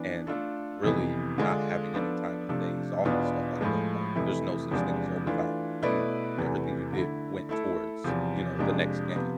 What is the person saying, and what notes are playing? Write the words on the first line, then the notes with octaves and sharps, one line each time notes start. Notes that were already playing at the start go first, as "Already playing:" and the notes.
and really not having any time of days off and stuff like that, like, there's no such thing as overtime, like you everything you did went towards, you know, the next game.
Already playing: E3 B3 D4
A3 D4 F4 A4
F2 C3 E3 B3
D3 G#3 D4 F4
F3 B3 D4 A4 D5
C3 F3 A3 D4 A4
E2 B2 B3 D4 F4
A2 F3 G#3
F2 C3 E3 A3 E4
E2 C3 F3 G#3 D4
E3 A3 D4 F4
B2 A3 E4 B4 D5
E2 C3 E3 A3
D3 A3 E4
A3 E4 A4
E2 C3 F3
F2 C3 F3 G#3 D4
C3 F3 B3